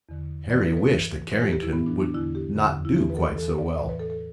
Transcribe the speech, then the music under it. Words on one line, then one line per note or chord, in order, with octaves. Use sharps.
Harry wished that Carrington would not do quite so well.
E2 D3
G2 E3 D5
B4
A4
B4
G2 E3
A2 E3 B4
G4
G4
E4
A2 E3 B3
D4
D4
E2 D3 E4
G4
E2 D3
E4
E2 E3 G4
B4
A4
E2 E3 A4
A4
D5
E5
A2 E3 D5
B4
A4
A4